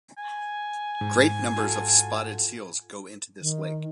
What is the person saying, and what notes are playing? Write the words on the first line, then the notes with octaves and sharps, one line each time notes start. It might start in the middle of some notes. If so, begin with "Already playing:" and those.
Great numbers of spotted seals go into this lake.
G#5
G#2
F4 F#4 A4
D#3